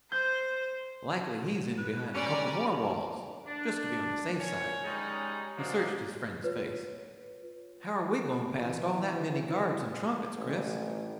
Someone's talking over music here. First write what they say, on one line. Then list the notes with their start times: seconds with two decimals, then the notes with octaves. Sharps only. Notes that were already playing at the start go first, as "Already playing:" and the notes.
Likely he's in behind a couple more walls, just to be on the safe side." He searched his friend's face. "How are we going past all that many guards and trumpets, Chris?
0.12 C5 G6
1.78 B4
2.15 G3 C#4 D5 G#5 A#5
3.45 D4
4.39 C#4 A#4 C#5
4.85 G3 G#3 C#4 D#4
5.57 C3 F#3 G#3 A#3 D4
6.43 F4 B4 C#5
8.63 E3
10.36 A1